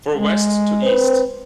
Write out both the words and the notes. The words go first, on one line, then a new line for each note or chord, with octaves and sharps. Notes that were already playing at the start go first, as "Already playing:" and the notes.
For west to east.
G#3
C4 B4 C5